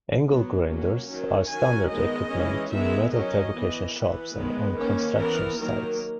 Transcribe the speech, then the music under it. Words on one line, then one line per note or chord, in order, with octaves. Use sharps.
Angle grinders are standard equipment in metal fabrication shops and on construction sites.
F#3 B3
F#3 A#3 C#4
D#3 F#3 C#4
D#3 F#3 C#4 G#5
D#3 G#3 B3 D#5
E3 G#3 C#4
D#3 G#3 B3 E5
F#3 C#4 D#5
E3 B3
E3 B3 B4
D#3 G#3 B3
D#3 A#3 C#4
E3 B3 A#4
D#3 F#3 A#3 A#4